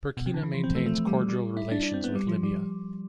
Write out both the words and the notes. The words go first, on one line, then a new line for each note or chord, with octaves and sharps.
Burkina maintains cordial relations with Libya.
B2
C3
D3
E3
F3
C4
A3
A3
G3
G3
E4
D4
D4
C4
B3
G3
F3
G3